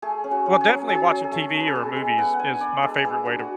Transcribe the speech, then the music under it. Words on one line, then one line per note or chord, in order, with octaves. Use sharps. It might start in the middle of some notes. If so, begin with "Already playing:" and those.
Well, definitely watching TV or movies is my favorite way to
A3 G#4
C#4
F#4
C#4
G#4
F#3
F#3 G#4
F#3
A4
A3 G#4
A3
B4
A4
B3 G#4
G#3 A4
B3 F#5
F#5
D4 G#5
B3 D5
G#3 A4
B3 G#4
D4 F#4
F#4